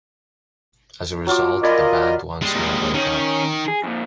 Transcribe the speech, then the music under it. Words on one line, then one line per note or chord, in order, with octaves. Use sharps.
As a result, the band once more broke up.
F#3 F4 D6
F4 A#4 D5 D#5 G#5 B5
G3 G#3
A#2 F3
D#3 C#4 C#5
G#4
F2 A#2